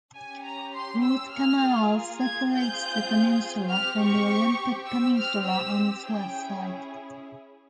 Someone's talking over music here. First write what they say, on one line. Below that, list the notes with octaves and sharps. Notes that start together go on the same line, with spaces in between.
Hood Canal separates the peninsula from the Olympic Peninsula on its west side.
C#4 G4 G#5
A#5
C6
E6
A#3 F4 G#4 F6
G#6
C4 F4 G#4 G6
C4 G4 F6
C#6
C4 G4 E6
F6
E6
C#4 E4 G#4 G5